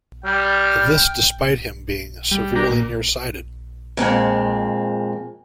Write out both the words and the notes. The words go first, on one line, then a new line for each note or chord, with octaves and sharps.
This despite him being severely near-sighted.
G3 G5 F6 G6
G3
D4 G4 A#4
A#2
F2 A#2 G#3 C4